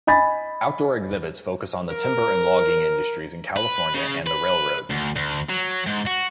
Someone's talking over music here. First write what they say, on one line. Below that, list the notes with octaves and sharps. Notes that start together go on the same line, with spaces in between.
Outdoor exhibits focus on the timber and logging industries in California and the railroads.
D#5 G#5 B5 A6
A#4
B4
C#3
B4
D2
D2
F#3
G#2
F#4